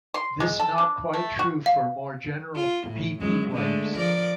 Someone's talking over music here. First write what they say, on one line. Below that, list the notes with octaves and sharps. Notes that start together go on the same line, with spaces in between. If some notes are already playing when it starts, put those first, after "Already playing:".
This not quite true for more general pp-waves.
C6
G#3
A4
D4
A3
F#4
F5
F4
A2
F#2 G#3
D3 G#3 A3
F3 A#4 D5